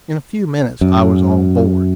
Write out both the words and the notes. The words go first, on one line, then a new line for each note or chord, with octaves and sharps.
In a few minutes I was on board.
F#2